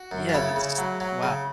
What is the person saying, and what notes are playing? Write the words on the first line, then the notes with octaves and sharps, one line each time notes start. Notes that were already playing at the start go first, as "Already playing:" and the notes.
Yeah, that's wow.
Already playing: F#4
F#2
F4
C#3 E4
C#3
F#3
F#3
C#3